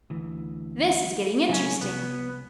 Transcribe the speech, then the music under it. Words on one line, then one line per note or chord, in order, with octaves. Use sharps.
"This is getting interesting!"
D2 E3
C#3 F#3 C4 C#4
C2 B3